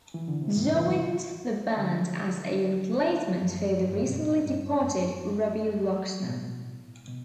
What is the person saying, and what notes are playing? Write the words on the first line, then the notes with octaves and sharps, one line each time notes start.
Joined the band as a replacement for the recently departed Robby Lochner.
E3
D3
C3
G2
A2
E3
F#3
D3
F#2
G2
B2
A2
G2
F#2
B2
A2
B2